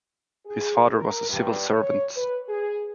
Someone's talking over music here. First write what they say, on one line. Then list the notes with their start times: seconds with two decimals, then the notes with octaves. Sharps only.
His father was a civil servant.
0.46 G#4
0.92 A#4
1.28 G2
1.70 C#5
2.16 B4
2.48 G#4